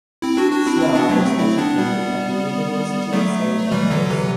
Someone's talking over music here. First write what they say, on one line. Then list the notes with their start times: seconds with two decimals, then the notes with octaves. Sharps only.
Snell was educated at the University of St Andrews.
0.22 C4 E4
0.37 D4 F#4
0.52 D4 F#4
0.67 C4 E4
0.76 D4
0.81 C4 E4
0.95 B3 D4
1.09 F#3 A3
1.25 A3 C4
1.39 C4 E4
1.58 B3 D4
1.78 G3 B3
3.13 F#3 A3
3.72 E3 G3
3.90 D3 F#3
4.10 C3 E3